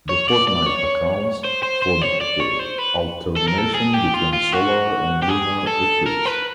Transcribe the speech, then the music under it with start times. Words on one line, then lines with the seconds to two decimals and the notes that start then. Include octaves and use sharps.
The fortnight accounts for the alternation between solar and lunar eclipse.
0.09 C#5
0.28 D5
0.48 D5
0.66 C#5
1.44 C5
1.63 C5
1.82 C5
2.02 C#5
2.21 D5
2.40 C#5
2.59 C5
2.78 B4
3.36 A4
3.48 A#4
3.58 A4
3.75 G#4
3.94 G4
4.14 F4
4.33 F4
4.52 F#4
5.22 G4
5.29 G#4
5.67 A4
6.06 A#4
6.26 B4